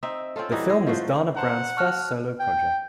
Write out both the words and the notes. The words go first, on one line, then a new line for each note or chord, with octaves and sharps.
This film was Dana Brown's first solo project.
C4 D#4 E5
C4 C#4 F4 A4
E3 G3 D#4 F#4
G#3
F3 A3 F#4 C5
C5 F#5 A5 A#5
F#4 A5 C#6 F6 F#6
G5